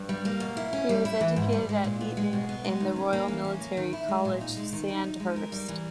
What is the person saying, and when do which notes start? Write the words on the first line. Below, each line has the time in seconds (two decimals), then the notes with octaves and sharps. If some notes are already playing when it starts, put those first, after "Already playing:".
He was educated at Eton and the Royal Military College, Sandhurst.
Already playing: G2
0.09 G3
0.25 A#3
0.40 B2
0.57 E4
0.73 C#4
0.89 G3
1.05 E4
1.21 E3
1.36 G#2
1.53 G3
1.69 G#3
1.84 A#2
2.01 B3
2.17 G#3
2.33 B2
2.49 B3
2.64 G#3
2.80 D#3
2.96 C#4
3.13 A#3
3.28 E3
3.45 C#4
3.60 A#3
3.77 D#3
3.93 E4
4.08 G#3
4.25 A#2
4.41 D#4
4.57 G#3
4.73 D#3
4.88 D#4
5.04 D#4
5.20 G#3
5.36 A#4
5.52 G3
5.68 E3